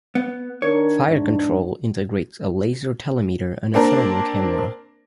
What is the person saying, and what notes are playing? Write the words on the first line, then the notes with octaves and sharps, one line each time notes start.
Fire control integrates a laser telemeter and a thermal camera.
B3
D#3 D4 A#4 C#5
E2 G#2 D4
A#3 C4 D4 A#4